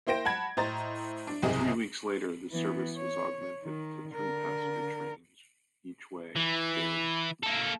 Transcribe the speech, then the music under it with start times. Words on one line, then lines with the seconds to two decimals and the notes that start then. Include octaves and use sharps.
Three weeks later the service was augmented to three passenger trains each way daily.
0.07 A#3 E4 C5 G5 A#6 D7
0.25 F#5 A5 B5 G#6
0.57 A2 C5 D#5 A#5 A6
1.27 D4
1.42 F#1 C2 G#2 C3 G#4 D#5
2.52 E3 B3
2.97 C#5
3.65 D#3
4.14 D3 A#4
6.36 E3
7.43 A#3 A4